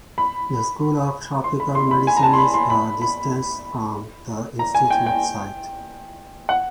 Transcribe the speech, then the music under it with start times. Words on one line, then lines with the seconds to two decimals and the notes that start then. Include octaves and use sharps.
The School of Tropical Medicine is a distance from the institute site.
0.18 B5
1.44 C6
1.60 B5
1.75 C6
1.91 B5
2.07 G#5
2.17 A#5
2.23 A5
2.33 C6
2.38 B5
2.54 C6
2.70 B5
3.02 B5
4.59 A#5
4.75 G#5
4.90 G5
5.06 G5
6.49 F#5